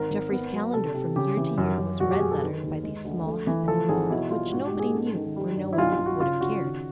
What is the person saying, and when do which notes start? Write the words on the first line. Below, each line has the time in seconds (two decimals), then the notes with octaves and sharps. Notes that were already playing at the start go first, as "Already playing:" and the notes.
Jeffrey's calendar from year to year was red-lettered by these small happenings, of which nobody knew, or, knowing, would have cared.
Already playing: G#1 A#4
0.10 G#1
0.31 B3
0.52 F#3
0.73 C3 A4
0.94 C3
1.16 C#3 G4
1.37 E3
1.58 F#2
1.78 F#2
2.00 E1 F#4
2.11 G4
2.20 E1 G#4
2.31 A4
2.42 D#3 B4
2.63 D#2
2.83 G#3
3.05 D2
3.26 A3
3.47 E3
3.68 F3 A4
3.89 G#1 G#4
4.10 B2 E4
4.30 G3 F4
4.52 G#2 F#4
4.66 G4
4.73 G#3
4.79 G#4
4.94 C#4 A4
5.15 D#3
5.36 G3
5.57 G2
5.73 E4
5.78 B1 F4
5.92 F4
5.99 B1
6.06 F#4
6.20 C#3 F4
6.41 C#3 F#4
6.62 D#3